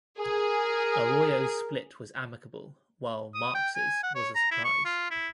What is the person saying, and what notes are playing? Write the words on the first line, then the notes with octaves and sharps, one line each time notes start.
Arroyo's split was amicable while Marx's was a surprise.
G#4 A#4
D#6
G5
G#5
F#5
C#5
A#5
E4
C#6
F4
E4